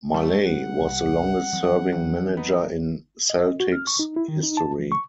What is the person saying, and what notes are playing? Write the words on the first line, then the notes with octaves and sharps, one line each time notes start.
Maley was the longest serving manager in Celtic's history.
G3 A3
F#5
C2
E3 F#3 C4
F2
B3 D#4
D#5
F#4
F6
C#6
D#4
E4
D#3
D#4
A5
E3
C#6